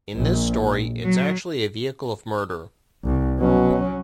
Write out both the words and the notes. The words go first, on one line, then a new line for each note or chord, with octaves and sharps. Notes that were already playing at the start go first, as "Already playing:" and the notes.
In this story, it's actually a vehicle of murder.
A#1
F#3
C2
B2 F#3 C#4